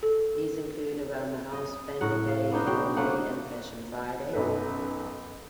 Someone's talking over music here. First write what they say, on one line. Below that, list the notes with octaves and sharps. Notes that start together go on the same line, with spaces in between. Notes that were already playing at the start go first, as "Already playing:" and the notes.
These include "Around the House", "Family Day", "Home Day", and "Fashion Friday".
A4
D#5
A2 A#4 F#5
F5
B3 D4 D#4
B2 G5
D3 A3 A#3 F#5
B1 F#2 D#4 A4 B4